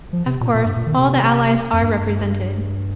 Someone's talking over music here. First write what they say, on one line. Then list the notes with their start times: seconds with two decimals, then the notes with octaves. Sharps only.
Of course, all the allies are represented.
0.13 F3
0.26 C3
0.41 A#2
0.55 A#2
0.65 G2
0.77 A#2
0.86 D#3
0.98 C3
1.73 F2
1.83 G2